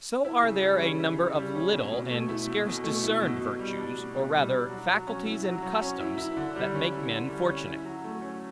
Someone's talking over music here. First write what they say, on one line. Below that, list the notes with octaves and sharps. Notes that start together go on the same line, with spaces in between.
So are there a number of little, and scarce discerned virtues, or rather faculties and customs, that make men fortunate.
E4
C#3
G3
C#4
E4
C#3
G3
C#4
B2
B2
A3
E4
B2
B2
A3
E4
B2
B2
G3
D4
B2
B2
G3
D4
F#3
F#3
C#4
E4
F#3
F#3
C#4
E4
E4
D3
G3
C#4
E4
D3
G3
C#4
E4
F#3
A3
C#4